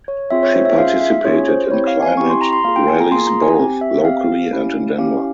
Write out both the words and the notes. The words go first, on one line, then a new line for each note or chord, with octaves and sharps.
She participated in climate rallies both locally and in Denver.
C#5
C4 F4 G#4 E5
C#5
C5
E5
C#4 F4 G#4 F5
E5
C#4 F4 G#4 C#5
C5
C4 E4 G4 C#5
F5
G#5
C4 E4 G4 C#6
C6
A#5
C6
A#3 F4 G#4 F5
G5
G#5
A#5
A#3 F4 G#4 C6
A#5
G#5
C4 G4
E5
C4 G4 F5
C#4 E4 G4
C#4 E4 G4 F5